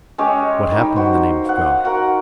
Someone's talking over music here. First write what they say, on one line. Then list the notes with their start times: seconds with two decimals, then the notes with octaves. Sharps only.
What happened in the name of God?
0.18 G#3 C#4 G4 C#5
0.71 D#3 G3 D#4
0.96 F#4 C5
1.45 F5 F#5
1.85 F#4 A#4 F#5